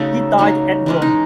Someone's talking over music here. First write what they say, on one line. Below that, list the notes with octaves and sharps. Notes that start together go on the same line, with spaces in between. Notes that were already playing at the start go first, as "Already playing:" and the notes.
He died at Rome.
Already playing: C#3 F#3 A3 D#4 A4
C#3 F#3 A3 D#4
E3 G#3 C#4
D#4